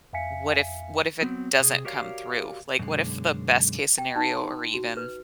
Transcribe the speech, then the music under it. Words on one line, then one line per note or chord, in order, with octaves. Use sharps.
what if what if it doesn't come through? Like, what if the best case scenario, or even
F2 E5 F5 G#5 B6 C#7
F#3 B3 C4
C3 G#4
F#4 G4 A#4 C#5 D5 F5
F#2 B2 D3 G#3
G5
D#4
C6
F#4
B4